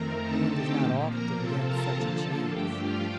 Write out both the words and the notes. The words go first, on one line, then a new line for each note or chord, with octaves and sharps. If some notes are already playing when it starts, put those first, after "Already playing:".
One does not often get such a chance.
Already playing: F2 D#3 A3 C4 A#4 A#5
D3 A3 C4 D#4 A4 A5
G4 G5
A#2 F3 A#3
A#4 A#5
C3 F3 C4 F4 A4 A5
A#4 A#5
D3 F3 A#3 F4 A4 A5
G2 F3 A3 D4 G4 G5
F4 F5